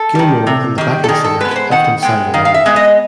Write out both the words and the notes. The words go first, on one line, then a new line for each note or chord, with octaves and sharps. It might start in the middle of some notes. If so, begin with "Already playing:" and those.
Gilmour and the backing singers often sang along with it.
Already playing: A4
D#3 G3
C3
D#3 G3
A4
D#3 G#4
A4
G#3 B3 B4
B4
C5
D#3 F#5
G#3 B3 G5
D#3 F5
F5
E5
G#3 B3
D#5